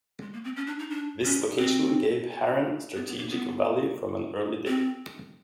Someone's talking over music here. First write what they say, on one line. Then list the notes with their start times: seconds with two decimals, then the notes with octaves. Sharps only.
This location gave Harran strategic value from an early date.
0.21 G#3
0.33 A#3
0.44 C4
0.56 C#4
0.67 D4
0.79 D#4
0.90 D4
1.25 C#4
1.58 C4
2.96 B3
3.07 B3
3.18 A#3
3.30 B3
4.67 C4